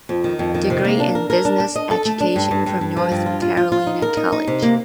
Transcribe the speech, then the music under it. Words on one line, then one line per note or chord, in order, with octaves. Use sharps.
Degree in Business Education from North Carolina College.
F2
D#3
F2
D#3
C3
A#3
D4
A#4
A#4
D4
D4
D#5
A4
A3
D4
G2
G2
G2
G2
F3
G2
F4
F4
F4
F4
D#4
A#4
D#4
D#4
C3
A#3